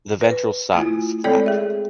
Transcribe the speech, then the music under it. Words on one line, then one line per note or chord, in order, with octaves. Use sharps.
The ventral side is flat.
B4
A3 E4 F4
G#3 C4 A4 C#5 D5 G5
G#4 E5